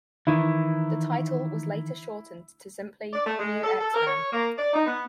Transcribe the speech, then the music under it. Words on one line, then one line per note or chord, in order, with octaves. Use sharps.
The title was later shortened to simply "New X-Men".
D#3 E3 E4
D5
A3
G#3
A4
A4
A#4
C#5
A#3
D5
D#4
B3